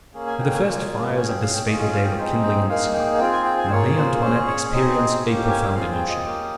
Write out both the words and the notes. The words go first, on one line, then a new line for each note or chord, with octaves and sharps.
When the first fires of this fatal day were kindling in the sky, Marie Antoinette experienced a profound emotion.
A#3 C#4 G#4
G#5
G5
G#5
A#3 C#4 F4 G#4
C#4 G#4 G#5
G5
F5
G5
C#4 F4 G#4 D#5
D#5
F5
G5
C4 D#4 G#4 G5
G5
A#3 D#4 G#4 F5
G5
C4 F4 G#4 G5
G#5
G5
G#5
C5
A#3 F4 G#4 C#5
C5
C#4 G#4 C5
C#5
C4 D#4 G#4 D#5
A#3 C#4 G4
G5
G#5
G5
C4 F4 G#4 F5
G5
D#5
A#3 C#4 G4